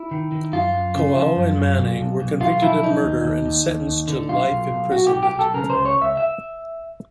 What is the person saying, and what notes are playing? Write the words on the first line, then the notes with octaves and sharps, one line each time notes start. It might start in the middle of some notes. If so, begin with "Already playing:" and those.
Kouao and Manning were convicted of murder and sentenced to life imprisonment.
Already playing: E4
D#3
D#3
F#2 F4
F#2
C#3
F3
F#2
F#2
B1
B1
B1
B1 F4
F3 E4
B1 D#4
D#2
D#2
D#2
D#2
D#2
D3
B1 F4
B1
B1
B1 F#4
G4
B1
G4
B1 A4
C#3 A#4
C5
C#2
C#5
C#2
E5
E5